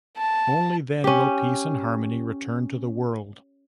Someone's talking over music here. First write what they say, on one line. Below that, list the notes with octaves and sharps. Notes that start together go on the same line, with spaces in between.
Only then will peace and harmony return to the world.
A5
C#4 G4